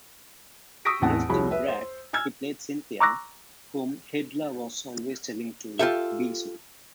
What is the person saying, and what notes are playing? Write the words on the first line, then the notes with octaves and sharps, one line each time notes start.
Dressed in drag, he played Cynthia, whom Hylda was always telling to "be soon".
C#6 D#6 E6 A#6 B6 D7
A1 E2 C4 F#5 A5
C2 F3 F#4 G#4 C#5 B5
B4 E5
C5
G#5 E6 F6 G#6
A#5 C#6 D6 E6 F#6 A#6
F4 G4 A4 E5